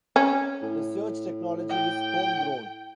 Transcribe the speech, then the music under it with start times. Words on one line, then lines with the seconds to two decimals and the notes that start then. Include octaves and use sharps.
The search technology is home grown.
0.16 C#4
0.62 A2
1.69 G5